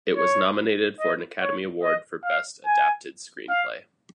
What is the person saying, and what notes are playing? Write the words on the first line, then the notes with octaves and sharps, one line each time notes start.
It was nominated for an Academy Award for Best Adapted Screenplay.
C#5
D#5
C#5
D#5
F5
G#5
F5